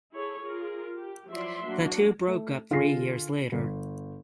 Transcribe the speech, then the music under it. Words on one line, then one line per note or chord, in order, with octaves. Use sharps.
The two broke up three years later.
E4 G#4 A4 C#5
F4 G#4 A#4
G4
F3 F#3 E4 D5 E5 C6
F#3 A#3 D4 F#4
A3
D3 F4 G#4 A#6 C7
G1